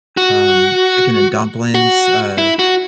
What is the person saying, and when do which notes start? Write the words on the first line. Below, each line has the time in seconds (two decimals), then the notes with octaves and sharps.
um, chicken and dumplings. Uh,
0.17 F#4
1.75 F#4
2.38 E4
2.59 F#4